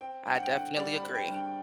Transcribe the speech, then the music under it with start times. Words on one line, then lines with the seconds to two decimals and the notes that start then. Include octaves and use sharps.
I definitely agree.
0.01 C4 G5
0.26 G2 G5
0.34 F#5
0.43 G5
0.52 D3 F#5
0.77 G3 D5
0.96 B5
1.03 C4
1.15 G5
1.28 G2
1.34 G5